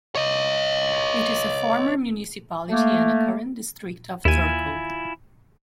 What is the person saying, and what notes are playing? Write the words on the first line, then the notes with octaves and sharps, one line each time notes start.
It is a former municipality and a current district of Turku.
C#5 D#5
A3 A#3
D#2 E4 F4 G#5 D#7